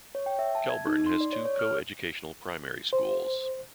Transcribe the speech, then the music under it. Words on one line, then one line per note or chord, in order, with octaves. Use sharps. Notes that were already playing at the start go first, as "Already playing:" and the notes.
Kelburn has two co-educational primary schools.
C#5
G5
E5
A5
G#6
D#4
C6
D5
C#5
C#5
F6
C5